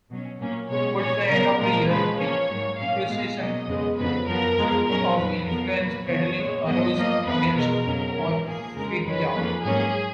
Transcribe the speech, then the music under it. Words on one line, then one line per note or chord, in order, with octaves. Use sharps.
Towards the end of the year, accusations of influence peddling arose against Orfila.
B2 F#3 C#4
A#2 F#3 A#3 C#4
B2 G#3 C#4 C#5
A#2 F#3 C#4 C#5
C#3 F#3 B3 A#4
A#2 F3 G#3 A#4
C#3 F3 G#3 B4
C#3 F3 A#3 C#4 C#5
G#2 F#3 A#3
A#2 F#3 A#3 C#4 F5
A#2 G#3 B3 F5
B2 F#3 A#3 C#4 D#5
F2 C#3 G#3 B3
F2 C#3 F#3 B3 B4
F#2 F3 B3 A#4
F2 F3 G#3 B3
A#2 F#3 C#4 A#4
F2 D#3 F#3 B4
F2 F3 B3 A#4
A#2 F#3 A#3 B4
F#2 C#3 F3 B3 C#5
A#2 G#3 B3
G#2 F#3 B3 D#5
F#2 F3 A#3 D#5
F2 F3 B3 B4
B2 G#3 B3 A#4
F2 C#3 F#3 C#4
G#2 D#3 F#3 C#4
A#2 F3 A#3 G#4
F2 C#3 G#3 C#4 A#4
F#2 D#3 G#3 C#4 B4
F2 F3 A#3 C#4
G#2 F#3 A#3 C#4 G#4